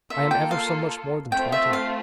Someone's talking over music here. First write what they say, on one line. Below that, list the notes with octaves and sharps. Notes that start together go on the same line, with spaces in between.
I am ever so much more than twenty.
A#3 F4 A4 E5
G5
F5
A3 C4 F4 G5
E5
F5